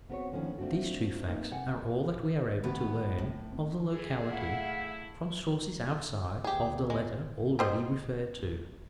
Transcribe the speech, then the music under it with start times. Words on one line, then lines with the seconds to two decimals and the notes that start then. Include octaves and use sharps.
These two facts are all that we are able to learn of the locality from sources outside of the letter already referred to.
0.10 B3 C4 F#4 A#4 B4 C#5
0.32 D3 D#3 F3 A#3 B3 C#4
0.58 A3 C4 D4 F4 F#4
1.25 A3 A#3 C4 D#4 A#4 B4
1.52 C3 F#5 G#5
2.64 A2 D#3 B3 B4
3.18 C2 A2
3.52 C4
3.91 D3 E3 G#4 A4
4.29 A3 E4 F5 F#5
6.44 D2 B3 G4 G#4
6.90 G#3
7.59 G4 C5 D#5